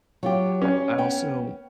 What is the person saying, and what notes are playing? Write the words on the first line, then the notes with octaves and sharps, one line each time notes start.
I I also
F#3 F4 G4
C#4 C#5
B3 B4 G5